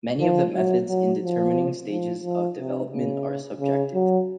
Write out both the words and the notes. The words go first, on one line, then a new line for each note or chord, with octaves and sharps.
Many of the methods in determining stages of development are subjective.
F3
F#3
F#3
F3
F3
F3
C3
C#3
C#3
F#3